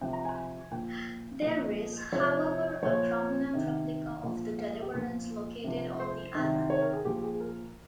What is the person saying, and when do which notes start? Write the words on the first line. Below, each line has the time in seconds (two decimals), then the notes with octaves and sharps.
There is, however, a prominent replica of the "Deliverance" located on the island.
0.01 C3 F3 G5
0.13 A#5
0.25 G#5
0.71 A#2 F3 G5
1.42 A#2 F3 D#5
2.12 C3 F3 C#5
2.83 A#2 F3 C#5
3.53 C3 D#3
4.23 A#2 F3
4.59 F5
4.70 D#5
4.82 G4
4.94 A#2 F3 A#4
5.64 C3 F3
6.00 C5
6.35 C3 D#3
6.70 C#5
6.82 A#4
6.93 G#4
7.05 A#2 F3 G4
7.22 G#4
7.40 A#4